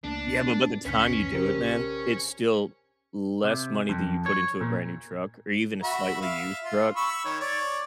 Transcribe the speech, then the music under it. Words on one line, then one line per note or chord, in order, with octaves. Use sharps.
Yeah. But by the time you do it, man, it's still less money than you put into a brand new truck or even a slightly used truck.
C#2 A3 A#3 D4
B3
C#2 F#2 C#3 C#4 B4 B6
B1 C#3 G4 A#4 C5
C3
F2
C#5
A#2
F#4 E5 B5
E5 F5
F4
B5 C#6 E6
D#3 C#5
C#5 D5